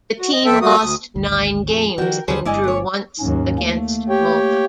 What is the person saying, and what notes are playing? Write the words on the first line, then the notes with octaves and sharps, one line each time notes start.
The team lost nine games and drew once against Malta.
F#4
D#5
F2 C4 A4 E5 G5
G3 A3 A#3 F#4 D#6
D2 D#6
G#1 D2
F2 A#2 G#4
D#3 F3 G3 F#4 A#4 G5
D#2 D3 F3 G3 G#4 B4 C5
G1 G2 G#3 E4 D5 D#5 G#5
A3 C#5
D#2 G#2 F#3 C#4
A3 A#3
G4 C#5 G5